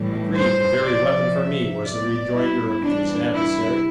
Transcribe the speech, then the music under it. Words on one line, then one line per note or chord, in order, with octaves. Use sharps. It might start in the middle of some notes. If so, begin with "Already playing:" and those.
"Agreed! the very weapon for me!" was the rejoinder of his adversary.
Already playing: A2 E3 G3
C5
C3 F3 D5
E5
B2 G3 D5
E4
C3 E3 G3 D4
E4